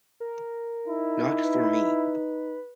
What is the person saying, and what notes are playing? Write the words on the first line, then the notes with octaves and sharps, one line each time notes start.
Not for me.
A#4
D#4 E4
B4